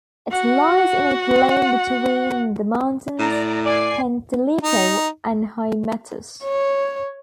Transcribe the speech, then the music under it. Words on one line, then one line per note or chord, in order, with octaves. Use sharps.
It lies in a plain between the mountains Penteliko and Hymettus.
F#4 F#5
A2 D5 A#5
D5 G#5 C7
D#4
C#5